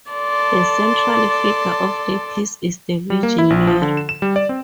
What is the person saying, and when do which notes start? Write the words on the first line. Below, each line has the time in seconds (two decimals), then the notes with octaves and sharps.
The central figure of the piece is the Virgin Mary.
0.11 A4 D5 A5 C6
3.10 G3
3.23 A#3
3.38 E4
3.50 A#1
3.67 F3
3.82 D3
3.97 E7
4.09 E7
4.22 G3
4.36 D5
4.49 C4